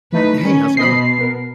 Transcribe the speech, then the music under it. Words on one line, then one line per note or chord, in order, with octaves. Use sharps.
Hey. How's it going?
E3 A3 D#4 B4
D#3 C#4
B2 C5 D#5 B5 C7
B3 A#4